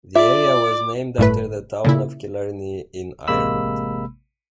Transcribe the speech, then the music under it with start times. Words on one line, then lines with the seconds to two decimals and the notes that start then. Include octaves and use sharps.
The area was named after the town of Killarney in Ireland.
0.15 F4 D5 E5 D6
1.18 G1 A2 A3 B4
1.84 A#2 C#3 E4
3.28 A1 C3 G#3 A#3 B5 E6